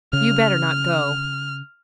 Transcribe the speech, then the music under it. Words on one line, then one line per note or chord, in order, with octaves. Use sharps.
You better not go.
C#3 F6